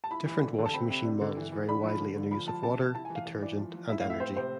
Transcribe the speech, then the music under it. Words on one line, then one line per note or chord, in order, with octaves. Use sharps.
Different washing machine models vary widely in their use of water, detergent, and energy.
A5
E4 B5
E3
D3
D3
A5
C4 B5
C3
D4
D3
E3
E3
D4 B5
F3
D3
D3
F3 B5
F3 A5
C3 A5
C3
E4 A5
G#5
E3
F5
E3
E3 D5
F3
F3
E4 E5
F5
A2
E5
C4 C5
C3 C5